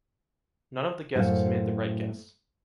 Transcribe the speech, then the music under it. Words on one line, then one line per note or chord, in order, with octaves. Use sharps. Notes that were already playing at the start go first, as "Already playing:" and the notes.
None of the guests made the right guess.
F#2 A2 A3 C5 F5